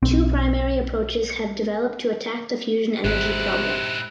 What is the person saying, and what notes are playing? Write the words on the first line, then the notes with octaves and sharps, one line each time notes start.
Two primary approaches have developed to attack the fusion energy problem.
B1 C4
G#1 G#2 C3 E4 F#6